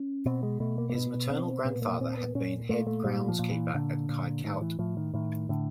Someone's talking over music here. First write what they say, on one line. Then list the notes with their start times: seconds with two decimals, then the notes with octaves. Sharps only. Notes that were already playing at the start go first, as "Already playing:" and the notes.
His maternal grandfather had been head groundskeeper at Kykuit.
Already playing: C#4
0.25 B2 C4
0.43 G#3
0.60 B2 A3
0.78 A#3
0.90 A#3
0.95 B2 B3
1.30 B2 C4
1.65 A#2 B3
1.82 A#3
2.00 A#2 C4
2.17 B3
2.35 A#2 C#4
2.69 A#2 A3
2.87 A3
3.04 A#2 G3
3.28 F3
3.39 A#2
3.51 E3
3.74 A#2 D3
4.09 A#2
4.44 A2 D#3
4.62 E3
4.79 A2 F3
4.97 D#3
5.14 A2 D#3
5.49 A2 D3